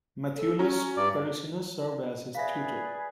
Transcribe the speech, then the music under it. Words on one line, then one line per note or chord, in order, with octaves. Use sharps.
Matheolus Perusinus served as his tutor.
A4
C#4 F#4 A#5
G2 D5
G#4 B4 D5 E5 F5